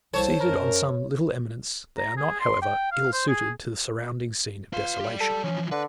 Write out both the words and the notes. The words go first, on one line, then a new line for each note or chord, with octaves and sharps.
Seated on some little eminence, they are not, however, ill suited to the surrounding scene of desolation.
C2 A4 C5 C#5 A5
F#2 A#4
A#5
G#4
C6
G5
F5
C5
G#4
F4 B4 C6
G4 D5
A4
E3 F3 C#4
D3 B4